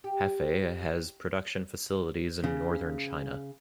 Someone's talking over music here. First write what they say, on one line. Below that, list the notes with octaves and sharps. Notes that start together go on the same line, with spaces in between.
Hafei has production facilities in Northern China.
G4
C#3